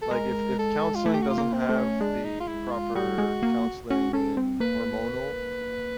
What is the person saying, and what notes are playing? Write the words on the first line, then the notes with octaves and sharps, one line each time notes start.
Like, if If counseling doesn't have the proper counseling and hormonal,
A4
G#3 A#4
A4
F4
A3 E4
G4
F#4
F4
A#3
C4
A3
C#4
G#3 D4
D#4
F4
E4
F4
G3 F#4
G#3
A#3
C#4 F#4
C#4 A4
C4
A#3 B4